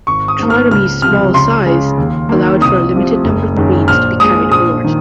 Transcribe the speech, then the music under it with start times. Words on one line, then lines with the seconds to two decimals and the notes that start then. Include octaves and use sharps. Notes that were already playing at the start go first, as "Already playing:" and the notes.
Triremes' small size allowed for a limited number of marines to be carried aboard.
0.07 G#1 C#6
0.28 D#6
0.39 G#2 D#3 A#3
0.50 F6
0.71 C#2 F6
1.02 C3 F3 F6
1.34 C#2 C6
1.66 C#3 G#3
1.98 D#2
2.29 D#3 A#3
2.61 C2 D#6
2.94 C3 F3
3.24 F#1
3.57 F#2 D#3 G#3
3.88 A#1 F6
4.20 A#2 G#3 D#6
4.51 A#1 D#6
4.84 D#3